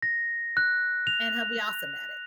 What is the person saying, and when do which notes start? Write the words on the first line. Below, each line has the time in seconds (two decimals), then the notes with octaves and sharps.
and he'll be awesome at it.
0.02 A#6
0.57 F#6
1.07 F7